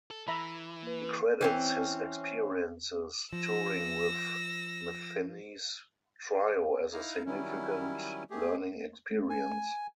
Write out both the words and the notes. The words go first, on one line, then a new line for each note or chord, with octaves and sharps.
He credits his experiences touring with Metheny's trio as a significant learning experience.
A4
E3 E5 A#5 B5
A#3 B4
B4
E3 C4 C#4
F3 E6 A#6
D#4 E4 F5 A#5
D#3 F#3 G3 C#4 E4
A3 G4 G#4
G#5